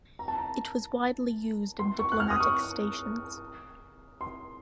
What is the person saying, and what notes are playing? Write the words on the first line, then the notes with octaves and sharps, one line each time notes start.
It was widely used in diplomatic stations.
A#5
A5
A#5
C6
C#6
F#6
F6
D#6
C#6
C6